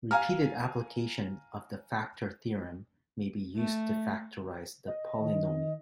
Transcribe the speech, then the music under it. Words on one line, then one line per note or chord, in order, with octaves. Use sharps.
Repeated application of the factor theorem may be used to factorize the polynomial.
F5 G#5 A#5 F6
A3
D#5
D#3